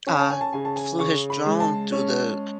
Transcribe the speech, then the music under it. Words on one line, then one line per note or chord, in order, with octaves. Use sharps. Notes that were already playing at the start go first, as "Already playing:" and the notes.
uh, flew his drone through the
C#4 G#5
A5
G#5
A5
C#3 G#5
A5
G#5
C#3 C#6
B5
G#3
A5
C#4